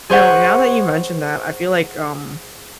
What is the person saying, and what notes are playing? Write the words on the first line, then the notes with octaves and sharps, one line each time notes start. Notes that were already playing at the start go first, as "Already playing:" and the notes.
you know, now that you mentioned that, I feel like, um
G#4 C5 C#5 F#5